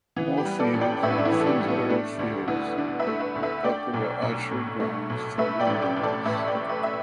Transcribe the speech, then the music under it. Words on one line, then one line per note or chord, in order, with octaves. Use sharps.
Moorfields and Finsbury Fields were popular archery grounds for Londoners.
E3 B3
G4 B4
G3
A4 D5
A1
D5 G5
A2 B4 E5
B3
D4
B3 E4
E3
A4
D4 G4
G3
B3 E4
A3 D4
D2 D4
D2 B3 E4
D3 D4
B4 E5
A3
B4 E5
D2
B4 E5
A3 D5 G5
B1
B1
A2
A3
B1
A3 B4 E5
D5 G5
A1
D5 G5
A1
A4 D5
A2 B4 E5
D5 G5
A3
B4 E5
E5